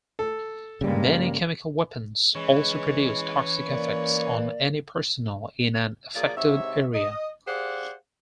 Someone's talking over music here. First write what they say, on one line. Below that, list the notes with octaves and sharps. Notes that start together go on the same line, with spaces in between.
Many chemical weapons also produce toxic effects on any personnel in an affected area.
A4
G2 C#3 G3 G#3 A#3
E3 G#3 C#4 C#5
A#3 D5
F3 F#3 A#3 G#4 D5
G#2 C3 C#5 E5
D#5
G4 G#4 C5 D5 F5 F#5